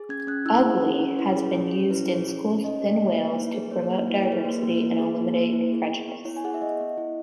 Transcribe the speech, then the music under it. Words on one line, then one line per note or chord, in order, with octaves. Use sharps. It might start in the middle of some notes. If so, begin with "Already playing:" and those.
"Ugly" has been used in schools within Wales to promote diversity and eliminate prejudice.
Already playing: G#4
C#4 G#6
G#6
C#4 F#6
E4 E6
G#4
F#5
C#4
C#5
C#4
E4 B4
G#4
C#5
C#4
C#5
C#4
E4 B4
G#4
C#5
C#4
C#5
C#4
D#4 D#5
G#4
D#5
A#3
B4
A#3
B4
D#4 C#5
G#4 B4
A#3 C#5
A#3 B4
E4
G#4 C#5
B4
A#3
B4
A#3
E4
G#4
A#3
A#3
E4
G#4
B3
B3
E4 C#5
G#5
G#4 F#5
E5
B3 D#5
B3
E4